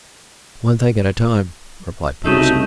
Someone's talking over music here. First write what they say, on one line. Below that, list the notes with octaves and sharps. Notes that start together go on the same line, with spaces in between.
"One thing at a time," replied Peterson.
C2 C#3 A3 D#4 F#4